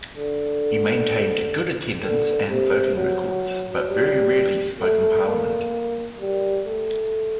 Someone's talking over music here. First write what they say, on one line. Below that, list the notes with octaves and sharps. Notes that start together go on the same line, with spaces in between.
He maintained good attendance and voting records, but very rarely spoke in Parliament.
D3
D3
C3
F#3
G3
A3
A#3
G3
A3